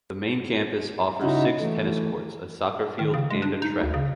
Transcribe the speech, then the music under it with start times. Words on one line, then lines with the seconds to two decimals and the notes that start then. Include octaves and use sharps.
The main campus offers six tennis courts, a soccer field and a track.
1.22 C#3 D#4 E4 F#4
1.60 E3 A3
2.99 D#3
3.14 C#3
3.30 G#3
3.42 D4
3.62 D#4
3.81 D2
3.94 C#3